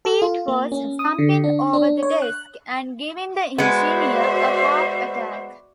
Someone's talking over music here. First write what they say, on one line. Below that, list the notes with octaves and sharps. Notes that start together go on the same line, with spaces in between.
Pete was jumping over the desk and giving the engineer a heart attack.
A4
F4
A#3
C#4
D#6
D3
D4
D4
C#5
F#6
G#3 B3 F#4 C5 D5 E5